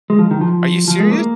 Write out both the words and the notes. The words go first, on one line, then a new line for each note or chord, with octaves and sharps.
Are you serious?"
G#3
F3
D#3
F3
F3
G#3
A#3